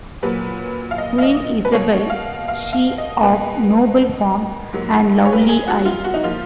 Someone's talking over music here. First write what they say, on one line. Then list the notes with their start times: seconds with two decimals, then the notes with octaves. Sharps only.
Queen Isabelle, she of noble form and lovely eyes.
0.23 A#2 F#3 A#3 B4
0.91 F5
0.98 D#5
1.18 F5
1.23 D#5
1.65 B4
1.72 B2 A#3 C#5
2.10 F5
2.48 F5
2.73 F5
2.98 D#5
3.23 B2 A#3 B4
4.73 G#2 F#3 A#3
5.25 C#5
5.33 B4
5.41 A#4
5.49 G#4
5.68 F#4
5.85 F4
6.04 F#4
6.14 D#4
6.23 F3 A#3 F4